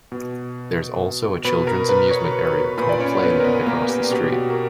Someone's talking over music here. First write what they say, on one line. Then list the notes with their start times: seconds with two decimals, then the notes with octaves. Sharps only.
There's also a children's amusement area called Playland across the street.
0.12 B2
1.44 B2 B4 B5
1.67 A#4 A#5
1.89 B4 B5
2.11 C#5 C#6
2.45 B4 B5
2.78 A#2 B4 B5
2.89 D5
3.00 C#4 C#5
3.23 B3 B4
3.39 A#4
3.44 B3 B4
3.66 A#3 A#4
3.89 G4
4.11 B2 G4
4.33 F#4
4.50 A#4